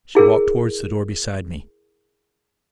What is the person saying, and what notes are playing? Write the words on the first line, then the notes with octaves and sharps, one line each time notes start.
She walked towards the door beside me.
E4 G#4 A#4